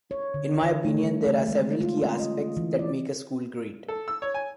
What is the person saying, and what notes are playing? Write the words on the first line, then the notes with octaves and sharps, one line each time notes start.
In my opinion, there are several key aspects that make a school great.
C#5
D3
E3
A3
G3
A3
G#3
F4
C#4
D#5
E3
D5
A4
E6
C#5
G#5